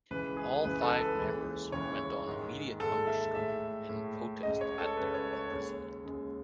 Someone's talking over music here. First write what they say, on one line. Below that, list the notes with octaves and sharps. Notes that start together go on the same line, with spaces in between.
All five members went on immediate hunger strike in protest at their imprisonment.
C#2 C#3 E3 G#3 B4
G#4
C#2 C#3 E3 G#3 B4
A4
B4
D#2 C#3 E3 G#3
D#2 C#3 E3 G#3 C#5
G#2 D#3 G#3
G#2 D#3 G#3 A4
E5
A2 G#3 E5
A2 G#3
C#2 C#3 G#3 D#5
C#5
A4
C#2 C#3 G#3 B4
C#5
C#5
D#2 C#3 G#3
D#2 C#3 G#3